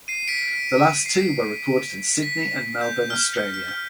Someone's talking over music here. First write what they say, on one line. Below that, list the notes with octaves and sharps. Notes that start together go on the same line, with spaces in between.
The last two were recorded in Sydney and Melbourne, Australia.
C7 D#7
B6 D7
C7
B6
G6
F6
F6
F6
F6